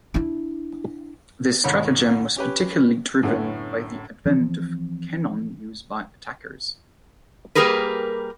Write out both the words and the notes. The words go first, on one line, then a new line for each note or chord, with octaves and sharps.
This stratagem was particularly driven by the advent of cannon used by attackers.
D4 E4
C2 G#2 D#3 C#5 B5
C#4 G4 B4
F#2 A2 D3 A3 B3 C#4
E3 F3 C4
G3 A#3 G4 G#4 A#4 B4